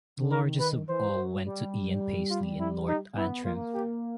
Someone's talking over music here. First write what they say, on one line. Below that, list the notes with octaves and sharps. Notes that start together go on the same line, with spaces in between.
The largest of all went to Ian Paisley in North Antrim.
D3
D#3 A#4
B4
E3 C5
G3
F#3
G3
F4
E4
D#4
B3 E4
A#3 F4
G4